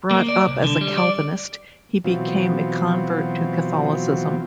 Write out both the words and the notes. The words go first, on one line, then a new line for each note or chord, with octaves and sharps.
Brought up as a Calvinist, he became a convert to Catholicism.
A#3
D5
C2
D3
G3
D5
B2 E3 F#3 C4 F4